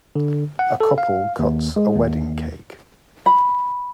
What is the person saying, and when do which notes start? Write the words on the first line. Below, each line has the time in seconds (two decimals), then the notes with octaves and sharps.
A couple cuts a wedding cake.
0.15 D3
0.59 F#5
0.80 A4
0.98 F5
1.39 D#2
1.76 G#3
1.96 D#2
3.26 B5